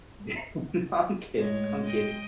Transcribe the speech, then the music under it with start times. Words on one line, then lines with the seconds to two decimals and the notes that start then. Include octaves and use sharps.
yeah, no, I'm kidding, I'm kidding.
1.38 A2 G#3 C#5
1.85 D#5 G5